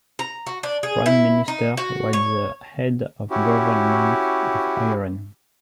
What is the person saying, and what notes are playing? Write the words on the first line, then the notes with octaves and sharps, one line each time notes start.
Prime Minister was the head of government of Iran.
A#5
F#4
D4
G#4
E4
D#4
F#4
C#5
C#4 E4 F#4 G4